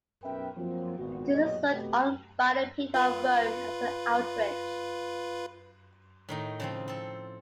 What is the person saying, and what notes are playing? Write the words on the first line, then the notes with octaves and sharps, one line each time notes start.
This is looked on by the people of Rome as an outrage.
B1 C#4 A#4 B4 E5 G5
F3 F#3 A#3 C4
G#1 A#2 B3 F#4
B1 A#2 F#3 G4 C#5 D#5
C3 A3 B3 F#4 G4
F4 B4
A2 D#3 D#4
C#3 F3 C4
C4 A4